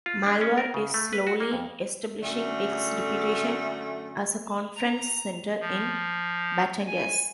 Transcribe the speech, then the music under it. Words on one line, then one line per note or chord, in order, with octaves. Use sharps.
Malvar is slowly establishing its reputation as a conference center in Batangas.
F4
D4
C#4
A#4
C#3
A3
B4
F#4
A#3
F2
F#2 D3 A3
A#5
F3
G#5